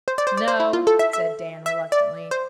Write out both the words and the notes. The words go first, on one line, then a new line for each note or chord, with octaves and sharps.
"No," said Dan reluctantly.
C5
D5
C5
D5
C5
E4
F4
A4
E5
E5
E5
D5
C5